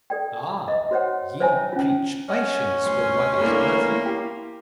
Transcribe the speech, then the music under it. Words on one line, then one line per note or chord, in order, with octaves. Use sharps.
Ah! ye preach patience with what is earthly?
A4 D5 G5
D#5 E5
F#4 C5 C#5 F#5
C5 C#5 E5 G5 G#5 A#5
C#4 F4
C#4 C#5 D#5 F#5
D2 C6
C2 A3 A#3 D4 E4
G4